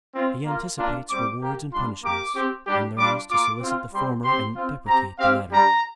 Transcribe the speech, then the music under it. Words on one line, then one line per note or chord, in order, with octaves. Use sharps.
He anticipates rewards and punishments, and learns to solicit the former and deprecate the latter.
C4 F4
A#3 F4
A#3 D4 F4
G3 C4 G4 D6
A#3 G4
G3 D4 F4 C6
A#3 G4 D6
C4 G4
G3 D4 G4
G3 D4 F4 D6
A#3 F4 D6
C4 F4
G3 C4 G4 C6
C4 G4 C6
C4 F4
C4 G4 A#5
C4 G4 F5
G3 D4 G4 A#5